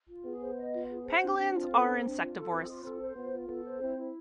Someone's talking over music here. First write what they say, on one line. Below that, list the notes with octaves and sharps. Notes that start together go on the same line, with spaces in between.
Pangolins are insectivorous.
F4
B3 G#4
C5
D#5
F4
G#4
C5
C4 D4
D4
C4 F4
A4
D4
D4
F4
A4
C4 F4
F4
C4 A4
C5
B3 F4
F4
B3 A4
C5
C4 E4
E4